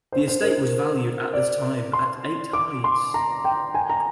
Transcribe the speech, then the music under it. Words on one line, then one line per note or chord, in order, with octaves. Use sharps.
The estate was valued at this time at eight hides.
C5
C5
A#4
C5
D5
C6
D6
C6
A#5
G5
G#5
A#5